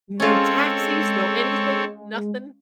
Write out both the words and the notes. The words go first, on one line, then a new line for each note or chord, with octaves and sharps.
No taxis, no anything, nothing.
G#3 C4 C#4 F4 A4 C#5